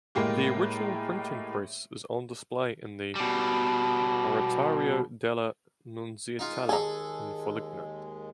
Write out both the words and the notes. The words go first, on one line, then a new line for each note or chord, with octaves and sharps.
The original printing press is on display in the "Oratorio della Nunziatella" in Foligno.
A2 G#3 A#3 G4
B2 G3
G#3 D#4 F4
D#2 G#3 G#4 A4 G#5 A#5